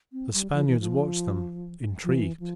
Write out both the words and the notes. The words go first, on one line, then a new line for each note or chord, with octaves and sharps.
The Spaniards watched them, intrigued.
C4
G3
F3
E3
F3
F3
E3
F3